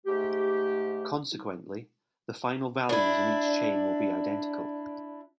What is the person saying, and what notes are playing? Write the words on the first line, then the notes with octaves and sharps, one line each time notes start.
Consequently, the final values in each chain will be identical.
G#2 A3 G4
D4 E4